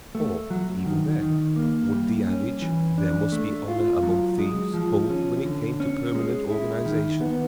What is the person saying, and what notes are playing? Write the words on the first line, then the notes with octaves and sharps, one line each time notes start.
Or, even there, would the adage, "There must be honor among thieves," hold, when it came to permanent organization?
A3
F#3
D#3
D#3
A#3
G3
C#4
E3
D4
A3
F4
F#3
G#3
F3
C#4
D3
C#4
G#3
E4
D#3
B3